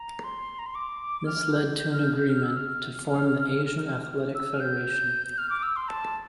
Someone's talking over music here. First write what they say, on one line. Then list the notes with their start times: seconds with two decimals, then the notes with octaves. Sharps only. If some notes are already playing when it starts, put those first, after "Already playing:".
This led to an agreement to form the Asian Athletic Federation.
Already playing: A#5
0.24 C6
0.59 A#5
0.66 C6
0.75 D6
1.26 F6
1.52 G6
1.78 G6
1.93 F6
2.04 G6
2.29 F6
2.43 E6
2.57 F6
4.35 E6
4.54 F6
4.60 G6
5.38 F6
5.50 D6
5.63 E6
5.76 C6
5.88 A5